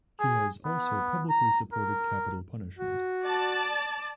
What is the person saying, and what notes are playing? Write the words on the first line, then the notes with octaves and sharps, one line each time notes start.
He has also publicly supported capital punishment.
G#4
B3
A#5
A#4
F#4
D5 A5